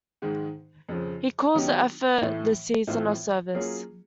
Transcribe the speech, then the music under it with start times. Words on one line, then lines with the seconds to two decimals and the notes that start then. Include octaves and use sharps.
He calls the effort the Season of Service.
0.22 G#2 D#3 G#3
0.89 F2 C#3 F3
1.55 D#3 F#3 B3 D#4 G4
2.21 A2 E3 A3
2.87 A2 E3 A3 C4 F4
3.54 F#3 A#3 C#4 F4 G#4